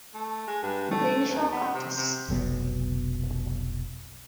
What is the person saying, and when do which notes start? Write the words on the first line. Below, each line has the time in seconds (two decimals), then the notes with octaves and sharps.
The initial count is zero.
0.14 A3
0.47 G#3
0.62 G2
0.91 A3
1.30 D#2
1.52 B3
1.74 C3
1.96 C3
2.28 F1 B1 F#3 B3